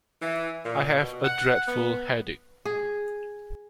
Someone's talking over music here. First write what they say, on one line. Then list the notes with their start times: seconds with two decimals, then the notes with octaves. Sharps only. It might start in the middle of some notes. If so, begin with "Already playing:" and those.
I have a dreadful headache.
0.22 E3
0.65 A#2
1.01 B2
1.24 F#5
1.67 B3
2.65 G#4